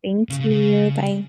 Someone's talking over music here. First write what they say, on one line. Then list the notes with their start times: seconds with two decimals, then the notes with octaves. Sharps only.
Thank you. Bye.
0.29 C#3
0.39 C#3
0.50 C#3